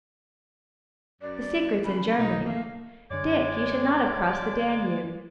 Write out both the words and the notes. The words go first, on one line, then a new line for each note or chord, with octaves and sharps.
The secret's in Germany. Dick, you should not have crossed the Danube.'
F#2 D5
C#3 B5
B1 D#4 D#5
A3 A#3 F5
F#2 D3 G#3 C#5 D5 D6 G#6